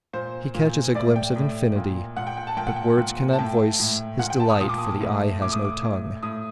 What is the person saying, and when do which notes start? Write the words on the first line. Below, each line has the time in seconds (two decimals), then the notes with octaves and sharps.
He catches a glimpse of Infinity, but words cannot voice his delight, for the eye has no tongue.
0.13 A#2 C5
0.54 A#2
0.95 A2 D5
1.16 G5
1.36 A2
1.76 A#2
2.17 A#2 F#5
2.27 G5
2.37 G5
2.47 A5
2.57 A#2 G5
2.67 F#5
2.76 G5
2.97 A#2
3.33 A5
3.38 A2 G5
3.79 A2
4.19 A#2 F#5
4.30 G5
4.40 A5
4.50 D#6
4.60 A#2 D#6
4.69 D6
4.78 D#6
5.00 A2
5.42 A2 D6
5.53 D#6
5.65 D6
5.82 A2
6.23 A2 D#6